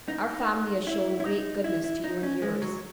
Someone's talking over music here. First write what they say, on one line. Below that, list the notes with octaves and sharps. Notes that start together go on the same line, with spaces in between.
Our family has shown great goodness to you and yours.
D#4
E4
E4
D#4
E4
E4
D#4
C#4
G#3
F#3